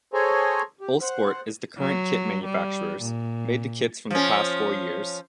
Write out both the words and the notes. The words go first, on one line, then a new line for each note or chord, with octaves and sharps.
Uhlsport is the current kit manufacturers, made the kits from past four years.
G#4 A4 C5 C#5 G#5 A#5
G4
C5 F#5
F#3
G3
A#2
F3 C#4